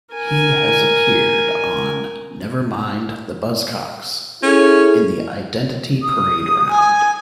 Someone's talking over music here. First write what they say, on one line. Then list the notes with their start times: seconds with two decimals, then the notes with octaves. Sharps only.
He has appeared on "Never Mind the Buzzcocks" in the identity parade round.
0.15 A#4 G#5
4.43 C#4 E4 G#4 A4
6.03 D#6
6.70 G#5